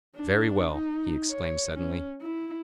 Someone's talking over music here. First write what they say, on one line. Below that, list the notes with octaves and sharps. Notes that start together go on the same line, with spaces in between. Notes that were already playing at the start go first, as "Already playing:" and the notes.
"Very well!" he exclaimed suddenly.
D4
D#4
C#5
C#4
E4